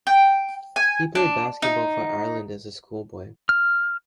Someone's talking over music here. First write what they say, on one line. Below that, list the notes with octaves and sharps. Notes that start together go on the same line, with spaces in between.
He played basketball for Ireland as a schoolboy.
G5
G#5
D4
D#4
F6